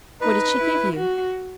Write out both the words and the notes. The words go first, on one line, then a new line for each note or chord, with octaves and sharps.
'What did she give you?'
D#4 B4
E4
F#4